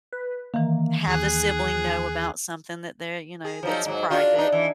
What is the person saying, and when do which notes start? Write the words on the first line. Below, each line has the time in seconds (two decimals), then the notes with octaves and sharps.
have the sibling know about something that they're, you know that's private
0.13 B4
0.54 D#3 E3 A#3
1.07 D#2 G#4 F#6
3.45 G#4
3.63 F3 F#3 D#4
3.86 G#2 F#3
4.10 D4 F4 F#4
4.35 D4 D#4
4.52 E3